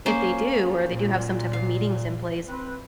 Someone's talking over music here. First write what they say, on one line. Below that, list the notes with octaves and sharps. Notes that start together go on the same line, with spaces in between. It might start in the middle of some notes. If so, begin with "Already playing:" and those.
if they do or they do have some type of meetings in place,
A#3 C#4 C5
A#2
F5
C4 B4